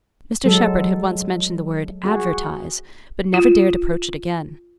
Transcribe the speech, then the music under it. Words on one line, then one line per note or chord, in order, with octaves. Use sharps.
Mr Shepherd had once mentioned the word "advertise," but never dared approach it again.
F#3 G#3 A4
F#4 G#4
F4